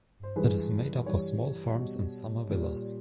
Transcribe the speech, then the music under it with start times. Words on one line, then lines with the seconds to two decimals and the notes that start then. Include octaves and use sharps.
It is made up of small farms and summer villas.
0.23 C5
0.36 G2 E3 G#3 B4
1.06 G2 E3 G3 C#5
1.79 B2 G3
2.50 A#2 G3